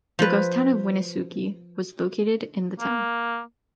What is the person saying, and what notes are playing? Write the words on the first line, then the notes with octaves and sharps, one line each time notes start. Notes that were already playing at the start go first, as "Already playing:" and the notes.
The ghost town of Winooski was located in the town.
F3 B4
A#3